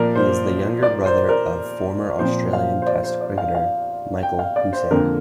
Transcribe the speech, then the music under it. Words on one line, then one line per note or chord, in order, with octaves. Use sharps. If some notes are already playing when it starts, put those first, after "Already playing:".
He is the younger brother of former Australian Test cricketer Michael Hussey.
Already playing: A#2 F3 A#3 A#4 D5
C5
D5
C5
A#4
A#2 F3 C4 C5
F5
C5
D5
C5
D5
F5
F5
G5
F5
D5
C5
F2 D3 A#3 A#4